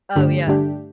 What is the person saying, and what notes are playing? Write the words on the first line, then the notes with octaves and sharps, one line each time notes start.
Oh, yeah.
G2 D3 A3 D4 G4
G2 D3 A3 D4 G4